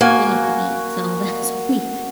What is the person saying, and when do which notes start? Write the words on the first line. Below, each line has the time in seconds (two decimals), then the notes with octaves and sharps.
finish the beat, so, that's on me,
0.01 A#3 F#4 G#5